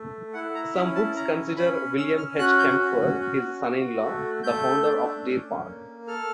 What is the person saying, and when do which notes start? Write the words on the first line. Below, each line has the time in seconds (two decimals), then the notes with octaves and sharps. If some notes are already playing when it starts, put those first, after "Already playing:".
Some books consider William H. Kempfer, his son-in-law, the founder of Deer Park.
Already playing: A3
0.33 E4 F#5
0.55 A#5
0.74 C#4 B5
0.95 A5
1.16 C#4 A#5
1.57 C#4 B5
1.97 C#4 E6
2.18 F6
2.39 F#4 F#6
2.59 G6
2.80 C#4
3.20 F#4
3.61 F#4
4.03 A3
4.43 A3 G6
4.84 D4
5.25 C#4
5.66 A#3
6.07 A4 F6